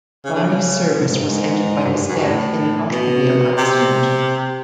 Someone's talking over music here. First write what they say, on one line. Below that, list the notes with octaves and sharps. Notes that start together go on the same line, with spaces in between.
Varney's service was ended by his death in an automobile accident.
C#3
D3
C#3
B2
A2
G#2
G2
G#2
F#2
G2
F#2
G2
A2
B2
C3